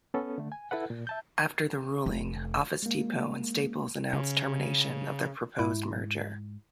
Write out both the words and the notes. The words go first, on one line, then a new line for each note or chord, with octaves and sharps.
After the ruling, Office Depot and Staples announced termination of their proposed merger.
B3 C#4 A4
D3 A3
G#5
E4 A4 B4 F#5
A#2
E5 A5 G6
F1
G#3 A#3
C#3
G#2 E4